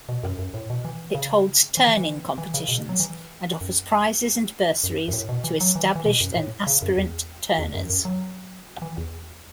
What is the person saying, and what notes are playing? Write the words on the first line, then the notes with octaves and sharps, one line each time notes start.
It holds turning competitions, and offers prizes and bursaries to established and aspirant turners.
B2
F#2
F#2
A2
B2
E3
C#3
E3
C#3
E3
E3
C#3
B2
C#3
F#3
E3
F#2
F#2
F#2
A2
B2
E3
F#3
E3
E3
B2
F#2
A2
C#3
F#2
E2
E2
F#2
F#2
F#3
E3
E2